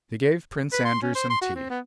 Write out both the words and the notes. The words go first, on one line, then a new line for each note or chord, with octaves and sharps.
They gave Prince Andrew some tea.
B4
C6
C#4
C5
C6
F#4
C4
B3